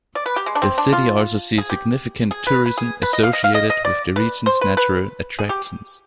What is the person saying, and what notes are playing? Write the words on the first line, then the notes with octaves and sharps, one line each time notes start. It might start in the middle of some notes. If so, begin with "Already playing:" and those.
The city also sees significant tourism associated with the region's natural attractions.
D5
B4
G4
G#3
D4
C4
D4
F4
G#4
G4
G#4
B4
B4
G#4
B4
D#5
F5
D#5
F5
D#5
D#5
D5
B4
C5
B4
B4
G#4
G4